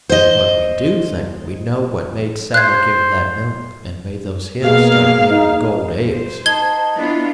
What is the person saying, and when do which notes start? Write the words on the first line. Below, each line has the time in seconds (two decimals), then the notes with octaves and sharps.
"But we do think we know what made Sally give that milk and made those hens start laying the gold eggs."
0.09 C5 D#5
2.54 C5 F#6 G#6
4.62 B2 A#3 G#4 F5
5.31 D#4
6.11 C5
6.46 D#4 A5 G#6 G7
6.97 B3 D4 E4 F4